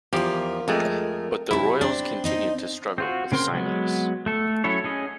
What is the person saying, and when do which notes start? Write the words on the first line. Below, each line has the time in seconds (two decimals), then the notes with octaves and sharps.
But the Royals continued to struggle with signees.
0.13 E2 F3 F4 G4 A#4
0.68 F2 G#3 A3 A#4
1.51 C3 F#3 E4
1.81 C4 D4
2.24 C4 D#4 D#5
2.98 C4 F4 F#4
3.32 C#3 C4 A#4 C6
3.54 F#3 G#3 B3
4.26 A3 A4
4.64 F#3 C#4 E4 A4 C#5
4.84 C#4 G#4 D#5